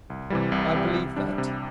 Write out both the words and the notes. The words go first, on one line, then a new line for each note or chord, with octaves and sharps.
I believe that.
C2
C3 E3 G3
C2
C3 E3 G3
C3
G3 D4
C3